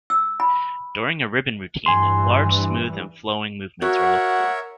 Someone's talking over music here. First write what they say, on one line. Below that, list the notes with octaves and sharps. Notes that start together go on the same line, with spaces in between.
During a ribbon routine, large, smooth and flowing movements are looked for.
E6
B5
G2 E3 G#5 C6
F#4 A#4 C#5 E5 F#5